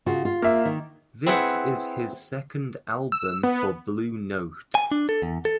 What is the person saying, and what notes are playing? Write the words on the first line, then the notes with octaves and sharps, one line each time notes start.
This is his second album for Blue Note.
C#3 F4 F#4
F4
A#3 E5
D#3
C4 E4 G#4 B4 C5 F#5
E6
B3
G#5
D4
A4
E2
A4